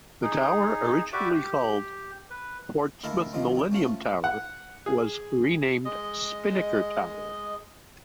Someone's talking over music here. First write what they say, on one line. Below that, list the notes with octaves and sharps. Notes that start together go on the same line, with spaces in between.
The tower, originally called Portsmouth Millennium Tower, was renamed Spinnaker Tower.
D#4 G#4
F#4 G4 B4 D5 E5 D6
G4
B4
D2 E4 A4 A#4 D#5 F5
G2 D#3 F3 C4 D#4 F4
F#2 G5
A3 C#4 F4 C5
F#5
G#4
G#3 D#5